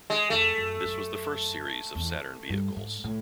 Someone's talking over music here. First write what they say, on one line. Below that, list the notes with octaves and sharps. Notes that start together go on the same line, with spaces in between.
This was the first series of Saturn vehicles.
G#3
F2 A3
F#2
F#2
E2
G2
G#2
A2